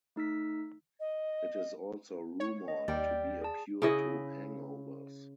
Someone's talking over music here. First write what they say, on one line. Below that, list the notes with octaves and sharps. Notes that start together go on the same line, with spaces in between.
It is also rumoured to be a cure to hangovers.
A3 D#4 E6 B6
D#5
C#5
D#5
D#2 G3 D5 G5
G#4 A5
C#3 E4 D#5